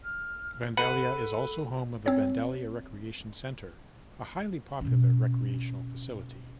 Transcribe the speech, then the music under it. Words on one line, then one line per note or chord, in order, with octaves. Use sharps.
Vandalia also is home of the Vandalia Recreation Center, a highly popular recreational facility.
F6
A4 B4 F#5
C4 C#5
B2 C#4